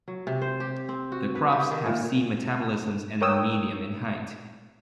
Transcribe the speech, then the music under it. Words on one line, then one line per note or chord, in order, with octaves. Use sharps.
The crops have C metabolisms and are medium in height.
F#3
C3
C5
G4
C4
F#4
B4
G4
D#3
A#2
A#4 C#5 G5 D#6 E6